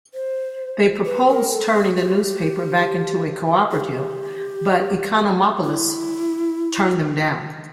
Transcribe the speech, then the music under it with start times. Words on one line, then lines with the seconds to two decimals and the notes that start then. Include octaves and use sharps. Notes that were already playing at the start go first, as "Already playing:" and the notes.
They proposed turning the newspaper back into a cooperative, but Ekonomopoulos turned them down.
0.14 C5
1.05 B4
1.29 A#4
1.51 A4
1.74 G#4
1.97 G4
3.71 G#4
3.80 G4
5.64 E4